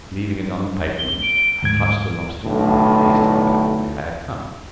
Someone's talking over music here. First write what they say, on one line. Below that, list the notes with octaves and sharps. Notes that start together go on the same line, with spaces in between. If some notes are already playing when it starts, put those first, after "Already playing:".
Leaving it on the pavement I clutched the lobster and walked hastily back the way I had come.
G7
D7
D2 G#2 G#6 D7
B1 A2 D3